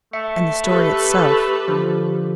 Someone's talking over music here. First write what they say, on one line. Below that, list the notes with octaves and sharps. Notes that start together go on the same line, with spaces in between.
And the story itself.
A3 E5 C#7
G4 A4 B4
D3 F3